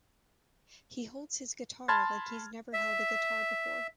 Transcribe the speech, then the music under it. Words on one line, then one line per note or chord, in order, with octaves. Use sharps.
He holds his guitar like he's never held a guitar before.
A5 B5 C6 F6 G#6 A6
E5